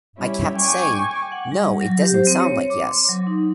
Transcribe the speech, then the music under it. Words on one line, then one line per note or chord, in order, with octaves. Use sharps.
I kept saying, 'No, it doesn't sound like Yes.
G3 C#4 E4
G5 G#5 C#6 D6
F#5
G3
F#3
G4
C5
C4
C#5
C#5
D6
C6
F#3
D#4